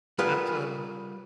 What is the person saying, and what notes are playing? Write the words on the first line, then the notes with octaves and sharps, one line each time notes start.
That's, um
G3 F4 G#4 A#4 B4 F#5